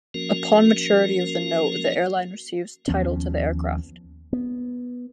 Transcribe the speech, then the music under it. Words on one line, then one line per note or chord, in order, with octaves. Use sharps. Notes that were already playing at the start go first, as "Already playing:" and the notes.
Upon maturity of the note, the airline receives title to the aircraft.
F3 A#3 C#4 F#4 A#4
D#2 F3 B3 C#4
B3